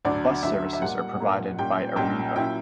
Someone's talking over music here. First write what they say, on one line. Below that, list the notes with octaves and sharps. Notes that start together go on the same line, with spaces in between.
Bus services are provided by Arriva.
D2 D3 F#3 D5
D2 D3 F#3 E5
E5
B1 A#2 G3 A#3 F#5
B1 A#2 G3 A#3
B1 A#2 G3 C#4 G5
B1 A#2 G3 C#4 G5
A#2 F#3 C#4 E4 G5